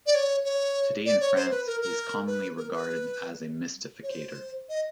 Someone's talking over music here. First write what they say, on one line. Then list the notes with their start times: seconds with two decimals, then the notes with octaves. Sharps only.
Today in France he is commonly regarded as a mystificator.
0.06 D5
0.15 C#5
0.45 C#5
1.06 D5
1.21 C#5
1.36 C5
1.51 B4
1.66 A#4
1.81 A#4
2.27 B4
2.57 A#4
2.72 B4
4.03 C#5
4.09 C5
4.69 D#5